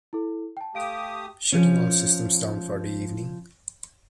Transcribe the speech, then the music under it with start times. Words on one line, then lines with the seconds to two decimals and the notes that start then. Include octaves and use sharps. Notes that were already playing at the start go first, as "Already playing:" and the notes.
Shutting all systems down for the evening.
0.13 E4 A4
0.57 G5 A5
0.75 A3 G4 F5 D#6 D7
1.52 F3 C#4